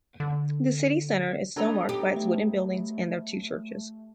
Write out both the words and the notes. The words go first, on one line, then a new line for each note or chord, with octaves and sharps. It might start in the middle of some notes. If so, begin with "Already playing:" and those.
The city centre is still marked by its wooden buildings and their two churches.
D3
F#3 B3 D4 D#4 A4 A#5
G4
A3